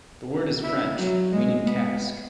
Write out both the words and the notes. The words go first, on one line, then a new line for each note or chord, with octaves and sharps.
The word is French, meaning 'cask'.
E4
F#3
G#3
B3